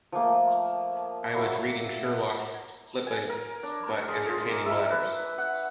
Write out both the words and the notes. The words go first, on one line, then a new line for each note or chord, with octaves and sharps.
I was reading Sherlock's flippant, but entertaining letters.
F3 A3 A#3
F#3 E5
G#5
A#4
D4
G#3
F4
A#3
E5
B4
F#5